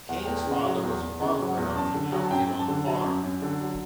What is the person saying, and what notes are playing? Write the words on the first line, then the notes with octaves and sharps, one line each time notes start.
King's father was a farmer and often helped him on the farm.
E2 F#5
G5
E2
G5
C#3 F#5
F#3
E2
E2
C#3 F#5
F#3
F#5
E2
F#2 A5
D3
F#3
A5
F#2 G5
F#2
A5
D3
F#3 A5
F#2
F#2
D3
F#3